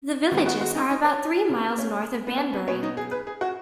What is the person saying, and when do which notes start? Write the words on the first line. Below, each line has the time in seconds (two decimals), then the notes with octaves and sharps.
The villages are about three miles north of Banbury.
0.31 D#3 G#3 B3 F#4
0.46 F#4
0.61 F#4
0.75 D#4
0.90 D#4
1.05 C#4
1.49 C#3 B3
1.78 C#4
2.27 B3
2.38 C#4
2.53 B3
2.67 B2 F#3 B3 C#4
2.83 D#4
2.97 G#4
3.11 B4
3.27 G#4
3.41 F#4